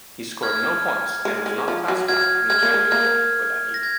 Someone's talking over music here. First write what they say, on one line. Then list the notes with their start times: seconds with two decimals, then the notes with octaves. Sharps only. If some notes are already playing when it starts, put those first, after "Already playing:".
He scored no points and was not classified in the championship for that year.
0.43 F6 G#6
1.25 G#3
1.46 G#3
1.68 F3
1.88 F#3
2.08 F#3 F6 G#6
2.50 G#3 F6 G#6
2.63 A#3
2.74 G#3
2.91 A#3 F6 G#6
3.74 A#6
3.83 G#6